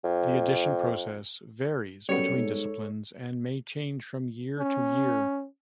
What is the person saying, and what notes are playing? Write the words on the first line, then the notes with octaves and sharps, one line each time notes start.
The audition process varies between disciplines, and may change from year to year.
F2
F#2 G3 B3 A4 C#5 C#7
G#2
C#4